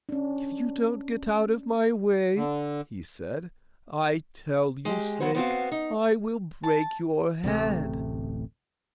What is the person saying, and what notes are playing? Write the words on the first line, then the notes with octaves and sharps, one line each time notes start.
"If you don't get out of my way," he said, "I tell you, snake, I will break your head."
C#4 D4
D3
G#3 G4
F3 F#3 B3 F#4 C5
B3 C4 F#4 F5
D#4
A5
D1 A1 C3 A3